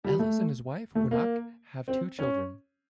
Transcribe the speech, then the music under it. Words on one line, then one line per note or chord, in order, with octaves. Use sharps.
Ellis and his wife, Juanika, have two children.
G3
A3
A3
A#3
C4
C#4